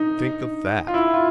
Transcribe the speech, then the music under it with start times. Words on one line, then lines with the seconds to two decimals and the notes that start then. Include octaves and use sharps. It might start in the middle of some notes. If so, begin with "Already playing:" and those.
Think of that!
Already playing: D#4
0.88 F4
0.94 E4
1.14 F4